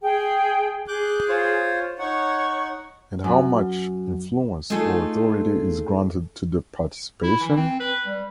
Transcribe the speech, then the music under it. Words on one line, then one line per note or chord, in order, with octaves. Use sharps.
And how much influence or authority is granted to the participation?
G#4 G5
G#4 D6 F#6 G6
F4 C5 C#5
D#4 C#5 F#5 C#6
F#2
A3 D#4 F4 G#4 A4
E4
E3
C4
B4
G3